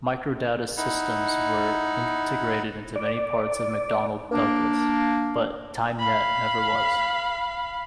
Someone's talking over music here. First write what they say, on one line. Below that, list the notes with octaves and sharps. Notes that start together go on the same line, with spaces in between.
Microdata's systems were integrated into many parts of McDonnell Douglas, but Tymnet never was.
D#4 E4 F#5
D5
A#3 D4
F5 B5